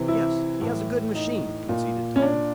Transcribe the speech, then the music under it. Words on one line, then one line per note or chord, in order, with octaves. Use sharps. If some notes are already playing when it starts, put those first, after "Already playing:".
"Yes, he has a good machine," conceded Tom.
Already playing: C3 E3
E4
A2 E3
D#4
A#2
C#4
D4